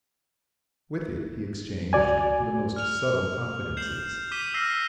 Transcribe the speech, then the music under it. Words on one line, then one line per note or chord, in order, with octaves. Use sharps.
With it he exchanged the most subtle confidences.
C#2 F#4 D5 G#5
F6 F7
G6 C7 E7 F#7
D6 D#6 B6 D#7 E7 G7
E6 F6 A#6 C7 D#7 G7
C7